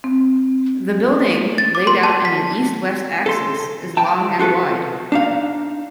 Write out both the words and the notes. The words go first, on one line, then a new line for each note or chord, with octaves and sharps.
The building, laid out in an east-west axis, is long and wide.
C4
A6
D6
C6
A5
B6
A4 C6
G5 A5
F4 F#4 A4 B4
D4 D#4 F5